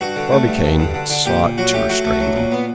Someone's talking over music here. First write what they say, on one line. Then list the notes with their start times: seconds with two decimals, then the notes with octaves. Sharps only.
Barbicane sought to restrain them.
0.01 G2 F#4
0.16 D3
0.32 A3
0.48 G2
0.64 G2
0.79 D3
0.94 D3
1.10 D3
1.26 A#2 G4
1.42 A#2
1.58 F#3 F#4
1.73 A3 G4
1.89 F#3 F#4
2.05 A3
2.20 F#3
2.36 A#2
2.52 B3